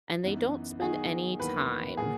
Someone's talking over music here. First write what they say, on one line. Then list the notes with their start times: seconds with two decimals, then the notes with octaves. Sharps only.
and they don't spend any time
0.23 F#2 E3 B3 D#4
0.81 D#3 F#3 B3 D#4 G#4
1.39 E2 D#3 F#3 A#3 B4
1.97 A#2 F#3 A#3 G#4